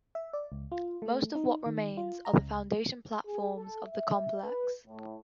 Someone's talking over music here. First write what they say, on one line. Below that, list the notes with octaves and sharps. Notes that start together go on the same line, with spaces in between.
Most of what remains are the foundation platforms of the complex.
E5
D5
C#2
F4
A3
D#4
D#3
F4
A#5
C#2
G#4
A4
E5
B4
A2